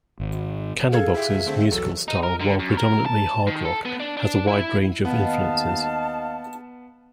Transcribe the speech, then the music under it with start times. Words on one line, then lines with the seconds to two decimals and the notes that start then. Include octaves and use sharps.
Candlebox's musical style, while predominately hard rock, has a wide range of influences.
0.20 G#1
0.92 G#4 A4 F5 G#6
1.15 E4 F4 G4 E5
1.30 C#2 G2
1.46 D3 A3 C4
1.72 B1 E2 F#3 A4
2.08 D#4
2.23 A#4
2.40 D3
2.59 F#2
2.77 A#4
3.06 A5
3.47 D#3
3.65 A4
3.85 B3
4.00 D4
4.17 D4
4.48 E4
5.05 D#2 B3 D#5 F5 A5